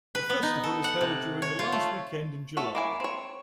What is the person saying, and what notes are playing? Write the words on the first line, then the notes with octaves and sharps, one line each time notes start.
The festival is held during the last weekend in July.
B4
B3
D#4
A4
F#5
C3
C#5
F4
A3
A3 F#4 A4 C#5
A#3 E4 G#5
C4 C#5